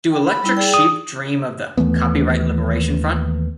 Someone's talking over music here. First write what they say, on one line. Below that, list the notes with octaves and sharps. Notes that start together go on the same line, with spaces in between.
Do electric sheep dream of the "Kopyright Liberation Front"?
G5
B5
G3 E4
G#4 D5 G5
D#6
D#2 E3 A3 B3